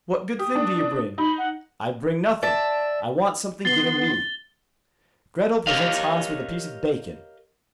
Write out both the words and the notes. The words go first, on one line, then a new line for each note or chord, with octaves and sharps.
What good thing do you bring?' 'I bring nothing, I want something given me.' Gretel presents Hans with a piece of bacon.
G4 D#6
D4
D#4 B5
F#5
D5 E5 A5
B3 C6 A6 G7
G4 A#4 C#5 D#5 F5